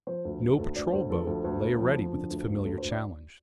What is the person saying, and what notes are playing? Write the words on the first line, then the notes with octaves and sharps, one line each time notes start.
No patrol boat lay ready with its familiar challenge.
F3 C5
D2
D2
D2 A4
D2 D5
D2 C5
F3 A4
D2
D2
D2
F3
F3
D3
D2
D2
D2 A4
C5
D2
D5